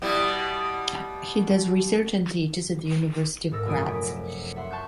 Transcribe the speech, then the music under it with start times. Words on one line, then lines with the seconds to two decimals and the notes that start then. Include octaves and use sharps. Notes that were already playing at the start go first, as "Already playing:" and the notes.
He does research and teaches at the University of Graz.
0.02 B2 G3 E4
3.51 G#2 A4 A#4 E6 A#6
3.66 F1 A#1 F#2 G#5 D#6 D7
3.85 B6 D7
4.27 C#7
4.56 E5 F#5 C6
4.71 A5 C6 C#6 F#6 G6